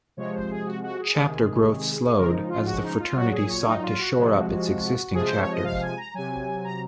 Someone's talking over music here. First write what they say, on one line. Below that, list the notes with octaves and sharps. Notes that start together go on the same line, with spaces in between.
Chapter growth slowed, as the fraternity sought to shore up its existing chapters.
C3 F3 G#3 C#5
C5
G#4
F#4
F#4
G#4
C3 D#3 G#3
C#3 F3 G#3 A#4
D#4
F4
F#4
D#4
F4
A#2 F#3 F#4
G#4
C#5
D#4
F4
F#4
C3 F3 G#3
C3 F3 G#3 G#4
C5
C#5
D#5
F5
G#5
A#5
C3 F#3 G#5
A#5